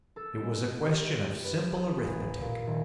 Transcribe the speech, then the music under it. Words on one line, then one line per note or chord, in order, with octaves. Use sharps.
It was a question of simple arithmetic.
A4
G#3
G4
B4
D#6
A1
A#2
D#1